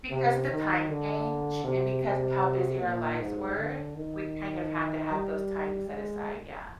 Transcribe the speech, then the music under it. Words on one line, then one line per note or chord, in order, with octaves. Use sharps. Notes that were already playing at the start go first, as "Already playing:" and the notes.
Because of the time change, and because of how busy our lives were, we kind of had to have those times set aside, yeah.
C3
D#3
D3
C3
C3
A#2
G#2
D3
D#3
G3
G#3